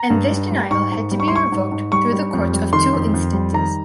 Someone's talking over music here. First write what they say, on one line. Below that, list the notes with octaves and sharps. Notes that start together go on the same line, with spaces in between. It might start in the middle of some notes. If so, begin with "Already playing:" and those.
And this denial had to be revoked through the courts of two instances.
Already playing: A#5
G2
G3
G3
G#2 C#6
G#2
G3
C#6
C6
G3 C#6
G#2
G#2
G3 C#6
G3
F2
G3
D#3 C6
F2
F2
G3
D#3 A#5